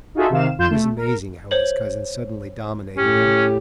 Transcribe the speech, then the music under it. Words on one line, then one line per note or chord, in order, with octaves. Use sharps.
It was amazing how his cousin suddenly dominated him.
D#4 F4 F#4 G#4 A4 E5
C3 D#3 F5 E7
F2 F4 C6 G6 E7
A3
A#4
C5 C#5 F#7
A2 C#4 G4